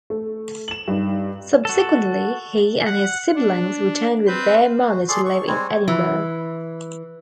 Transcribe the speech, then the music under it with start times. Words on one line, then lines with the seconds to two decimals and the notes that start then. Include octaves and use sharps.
Subsequently, he and his siblings returned with their mother to live in Edinburgh.
0.10 A3
0.68 E7 F#7
0.88 G2 D#4
1.65 F#4 A4
2.85 F#5
3.35 D4
4.27 C4 B4 G6
4.87 F#4
5.08 G#4 A4 D5 C6
5.26 C#6
5.47 G3 G#3 C4 C#5
5.88 E3